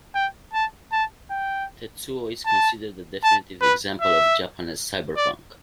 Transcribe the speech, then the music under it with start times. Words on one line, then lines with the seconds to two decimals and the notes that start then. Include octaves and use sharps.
Tetsuo is considered the definitive example of Japanese cyberpunk.
0.15 G5
0.53 A5
0.92 A5
1.31 G5
2.46 A5
3.24 A5
3.62 B4
4.01 E5
5.17 D5